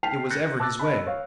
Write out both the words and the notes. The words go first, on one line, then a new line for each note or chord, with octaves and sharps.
"It was ever his way."
G5 A5 F6 B6 C7 F7
F#6 G6 A6 A#6 C#7
A5 D6 E6 F#6 A6
D#5 A5 B5
C#5 F5